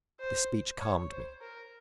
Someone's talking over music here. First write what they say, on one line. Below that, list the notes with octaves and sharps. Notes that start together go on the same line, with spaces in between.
This speech calmed me.
C5
C#5
C5
A#4